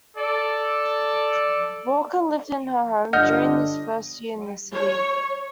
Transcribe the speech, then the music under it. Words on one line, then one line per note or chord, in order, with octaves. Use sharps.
Walker lived in her home during his first year in the city.
A4 D5
G1 D3 D#5 F#5 F6 G6
C#5